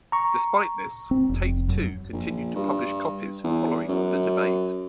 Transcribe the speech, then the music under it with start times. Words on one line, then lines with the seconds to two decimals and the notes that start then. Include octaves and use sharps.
Despite this, Take-Two continued to publish copies following the debate.
0.12 A#5 C#6
1.11 C4
1.29 F1
1.69 F#2
2.13 A#1
2.55 G2
3.44 E2
3.89 F#2